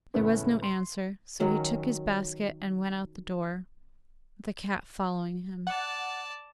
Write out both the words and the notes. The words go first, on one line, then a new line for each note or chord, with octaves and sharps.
There was no answer, so he took his basket and went out the door, the cat following him.
E2 A2 C#3 A3 B3 C#4
C6
D#3 F#3 C#4
D5 F#5 A5